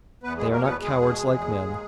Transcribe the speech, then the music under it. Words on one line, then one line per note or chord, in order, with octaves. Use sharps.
They are not cowards, like men.
E2 B3 B4
B2 G#3 G#4
A#3 A#4
E2 B3 B4 C#5
E2 G#3 G#4
B2
E2
D#2
D#2